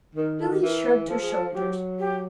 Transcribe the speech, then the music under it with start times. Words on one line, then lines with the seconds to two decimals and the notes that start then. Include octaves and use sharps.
Billy shrugged her shoulders.
0.15 D#3 A#4
0.39 A4
0.49 D#3
0.61 E3 A#4
1.07 F3 A4
1.21 G#4
1.33 A4
1.53 F#3 G4
1.99 G4